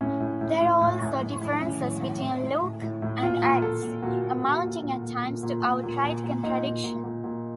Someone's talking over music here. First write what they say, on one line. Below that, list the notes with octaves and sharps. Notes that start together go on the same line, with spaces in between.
There are also differences between Luke and Acts, amounting at times to outright contradiction.
A2 C#4
A2
A2
A2
A2
A2
A2
A2
A2 C#4
A2
A2
A2
A2
A2
A2
A2
A#2 F4
A#2
A#2 A4
A#2
A#2 F#4
A#2
A#2 F#4
A#2
A#2
A#2
A#2
A#2
A#2
A#2
A#2
A#2
A#2 D#4
A#2
A#2
A#2
A#2